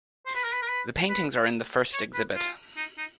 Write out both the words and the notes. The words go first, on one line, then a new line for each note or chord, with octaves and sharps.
The paintings are in the first exhibit.
C5
B4
A#4
B4
A#4
B4
B4
C#5
B4
F4
D#4
D#4